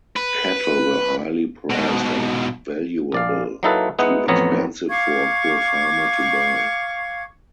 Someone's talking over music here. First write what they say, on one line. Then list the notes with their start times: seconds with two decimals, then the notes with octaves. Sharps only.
Cattle were highly prized and valuable, too expensive for a poor farmer to buy.
0.16 B4
1.70 G#2 B2
3.12 A#1 D5 F5
3.63 F#3 A#3 D#4 E4 A4 B4
3.99 G#3 B3 D#4 E4 F#5
4.28 A1 F2 B3 C#5 A#5
4.89 F5 C#6 D6 G#6